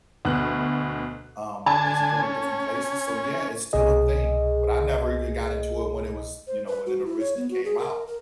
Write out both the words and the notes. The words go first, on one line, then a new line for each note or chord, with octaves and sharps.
um, as you go to different places so yeah, it's still a thing, but I never even got into it when it was, you know, when it originally came out.
D2 B2 B4 F#6
D3 G#5 A5
C#4
C2 B2 G#4 D#5
C5
B4
F#4
E4
C#5
B3
F#4
G#4
A#4
A#4